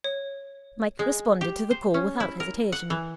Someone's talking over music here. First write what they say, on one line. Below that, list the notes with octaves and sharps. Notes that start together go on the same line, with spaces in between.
Mike responded to the call without hesitation.
C#5
G#3
G4
C5
C#4
E4
A#4
F#5
E3